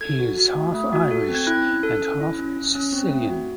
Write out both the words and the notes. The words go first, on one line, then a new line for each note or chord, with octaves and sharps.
He is half Irish and half Sicilian.
A4 G#6
F#4
F#4
A3
A3
F#4
A4
C4
G#6
E4 F#6
C#4
A4
C#4
E4
C#4
C#4
C#4
C4
A3
F#4